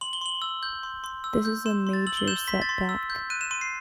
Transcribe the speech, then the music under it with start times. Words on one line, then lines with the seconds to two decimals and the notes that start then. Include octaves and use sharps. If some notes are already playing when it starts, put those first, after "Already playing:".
This is a major setback.
0.01 C6 F#7
0.13 G7
0.21 C6 F#7
0.42 E6
0.63 G6
0.83 C6
1.04 C6
1.24 E6
1.45 G6
1.66 C6 E7
1.87 C6
1.93 A6
2.07 E6 F#7
2.17 G7
2.28 G6 E7
2.48 C6 B6
2.62 A6
2.69 C6
2.89 E6
3.10 G6
3.30 F#6 D#7
3.41 E7
3.51 C6 D#7
3.61 C7